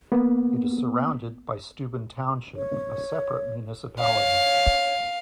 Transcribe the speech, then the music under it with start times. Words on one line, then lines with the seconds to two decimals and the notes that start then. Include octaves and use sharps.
It is surrounded by Steuben Township, a separate municipality.
0.12 A#3 B3
2.56 C#5
3.99 C#5 F5